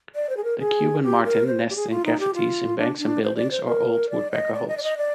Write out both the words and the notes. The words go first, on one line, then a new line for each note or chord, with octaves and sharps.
The Cuban martin nests in cavities in banks and buildings, or old woodpecker holes.
D5
C5
G#4
A#4
G#4
G4
A#4
C5
G4
G#4
F4
D#4
G4
F4
D4
D4
C5
D5
C5
A#4
D5
D#5
D5
D#5
D5
D#5
D5